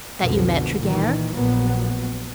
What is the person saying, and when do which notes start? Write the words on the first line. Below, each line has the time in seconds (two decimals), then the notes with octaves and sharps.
"That you met Tregear?"
0.22 C2 F2 B2 D3 F3
0.79 A#2 D#3 E3
1.35 A#1 A#2 F#3 B3